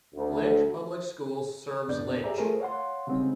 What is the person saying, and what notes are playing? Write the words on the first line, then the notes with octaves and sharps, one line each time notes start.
Lynch Public Schools serves Lynch.
D2
C#2 F#2 B3 D4 D5 G6
G4 G#4 D5 E5 A#5
A3 F4 G#4 A#4 C5
C#5 F5 F#5 C6
C#3 G3 G#3 C4 C#4 D#4